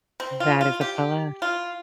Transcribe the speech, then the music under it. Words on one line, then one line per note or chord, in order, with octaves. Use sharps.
That is a plus.
C4
F4
F4
G4
F4